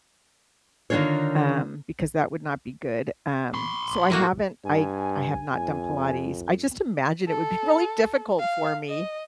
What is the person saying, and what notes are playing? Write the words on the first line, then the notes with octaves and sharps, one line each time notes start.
um, because that would not be good, um, so, I haven't I I have not done Pilates I just imagine it would be really difficult for me.
D3 D#3 A#3 D4 F4 C#5
B5 C6
A2 A#3 F#4
G2 G#5
F2
A4
F5
D#5